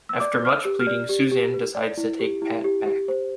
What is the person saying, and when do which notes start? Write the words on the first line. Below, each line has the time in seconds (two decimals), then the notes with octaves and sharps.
After much pleading, Susan decides to take Pat back.
0.09 E6
0.20 D5 D6
0.43 B4 F6
0.50 E6
0.65 G4
0.80 F6
0.87 D5
1.09 G4
1.32 G4
1.54 B4
1.75 D5
1.97 E4
2.20 G4
2.42 E4
2.64 G4
2.86 G4
3.08 C5